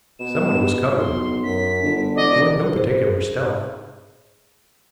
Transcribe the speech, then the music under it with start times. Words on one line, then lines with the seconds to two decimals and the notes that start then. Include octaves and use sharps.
Someone was coming, and with no particular stealth.
0.20 B2 E7
0.98 B1 C6
1.43 F#2 B6
1.83 G1 D3
2.16 E1 D5 D#5
2.76 G#4 C5